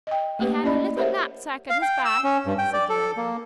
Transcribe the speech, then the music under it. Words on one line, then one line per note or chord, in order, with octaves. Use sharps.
"He had a little knapsack at his back," said the Raven.
D#5 G5
A3 A#3 G4 B4
C#4 E4 D5 D#5 B5
G4 A#4 C5 C#5 E5 F#5
F5
G5
E6
C#4
G2
G5
D5
A4
A#3